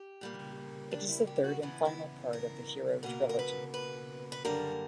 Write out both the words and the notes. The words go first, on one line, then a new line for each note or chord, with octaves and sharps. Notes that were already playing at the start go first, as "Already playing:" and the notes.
It is the third and final part of the "Hero Trilogy".
Already playing: G4
A#2 G3 A#3
D4
E4
G4
F#4
G2 E3 B3 E4
E4
A#4
B2 A#3 A#4
A#4
B4
B4
B4
F#2 D3 G3 A#3 A#4